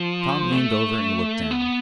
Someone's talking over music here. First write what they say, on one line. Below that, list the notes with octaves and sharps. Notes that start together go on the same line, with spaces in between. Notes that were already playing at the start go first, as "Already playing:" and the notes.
Tom leaned over and looked down.
Already playing: F3
A3
B3